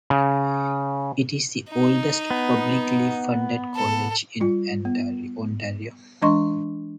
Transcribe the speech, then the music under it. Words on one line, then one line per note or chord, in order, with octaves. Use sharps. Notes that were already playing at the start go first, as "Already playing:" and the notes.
It is the oldest publicly funded college in Ontario.
C#3
D#4
B3
A4
G3 F4
B3
E3 G#3 D4 D#5 C6 C#6